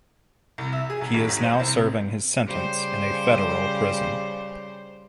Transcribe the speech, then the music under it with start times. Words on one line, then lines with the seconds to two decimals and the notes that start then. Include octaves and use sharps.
He is now serving his sentence in a federal prison.
0.58 C2
0.72 E5
0.90 G#4
1.01 B1
1.14 G#1
1.29 G#2
1.43 C5
1.60 C2
1.74 C3
2.44 C#3 G3 C5